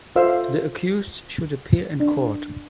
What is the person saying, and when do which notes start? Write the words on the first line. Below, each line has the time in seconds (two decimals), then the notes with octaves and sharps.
The accused should appear in court.
0.16 F4 A4 C5 E5 F5 E6
2.00 D4